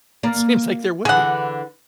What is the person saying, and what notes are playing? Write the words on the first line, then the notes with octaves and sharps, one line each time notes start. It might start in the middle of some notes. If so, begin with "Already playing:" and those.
It seems like there would be.
A#3 D5
D3 E3 G#4 F#5